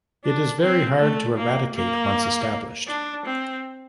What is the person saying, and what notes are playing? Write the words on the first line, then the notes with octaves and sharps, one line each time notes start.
It is very hard to eradicate once established.
D4
C4
A3
A#3
A#3
D4
C4